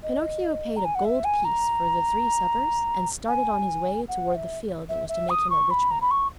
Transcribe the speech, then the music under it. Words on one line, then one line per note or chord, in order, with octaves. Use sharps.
Pinocchio paid a gold piece for the three suppers and started on his way toward the field that was to make him a rich man.
D#5
A#5
G#5
F#5
E5
G#5
A#5
G#5
F#5
E5
E5
E5
D#6
C#6
B5
A#5
B5
C#6